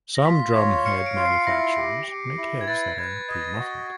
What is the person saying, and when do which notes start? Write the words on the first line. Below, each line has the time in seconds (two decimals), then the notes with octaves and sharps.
Some drumhead manufacturers make heads that are pre-muffled.
0.15 A#6
0.24 F4 B6
0.55 C#5
0.85 F5 C#7
1.06 D7
1.16 F4
1.26 C7
1.46 E4 A#6
1.77 G4
2.07 G4
2.37 E4
2.61 G#6
2.68 B4 A6
2.98 B4 G#6
3.28 D#5 G#6
3.59 F#4